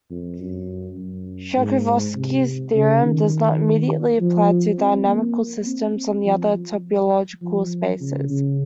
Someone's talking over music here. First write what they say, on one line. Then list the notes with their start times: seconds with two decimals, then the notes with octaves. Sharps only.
Sharkovskii's theorem does not immediately apply to dynamical systems on other topological spaces.
0.10 F2
0.40 F#2
0.98 F#2
1.57 G#2
2.15 C3
2.74 C#3
3.03 D#3
4.20 F3
4.79 C4
5.08 A#3
5.67 C4
5.95 C4
6.25 F3
6.54 F3
7.42 F3
8.01 C#3
8.30 C#3